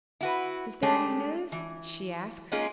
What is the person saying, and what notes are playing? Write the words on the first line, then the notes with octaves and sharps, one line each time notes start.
"Is there any news?" she asked.
E4 F#4 B4
G#3 A3 D4 G4
E3
G#3 A#3 C#4 D#4 F4 G#4